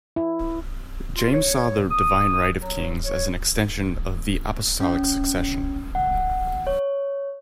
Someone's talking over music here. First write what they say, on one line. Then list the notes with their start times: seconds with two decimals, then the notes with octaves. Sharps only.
James saw the divine right of kings as an extension of the apostolic succession.
0.16 E4
1.16 F4
1.33 C#5
1.91 D#6
2.61 F#3
3.04 C#5
4.81 C#4
5.95 F#5
6.67 C#5